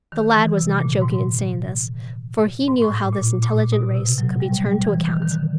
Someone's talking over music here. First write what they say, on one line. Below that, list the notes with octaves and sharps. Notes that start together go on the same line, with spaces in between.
The lad was not joking in saying this, for he knew how this intelligent race could be turned to account.
D#3
E3
C3
A#2
G#2
G#2
A2
A#2
A#2
B2
C3
F#3
G3
G3
E3
D#3
D#3
D3